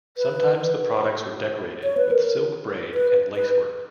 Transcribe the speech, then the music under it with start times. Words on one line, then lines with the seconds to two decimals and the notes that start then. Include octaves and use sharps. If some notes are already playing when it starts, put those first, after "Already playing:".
Sometimes the products were decorated with silk braid and lacework.
0.17 B4
1.84 C#5
1.97 B4
2.11 A#4
2.95 B4
3.36 B4